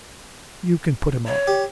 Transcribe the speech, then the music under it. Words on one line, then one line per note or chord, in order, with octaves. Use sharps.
'You can put him off.
C#5
G4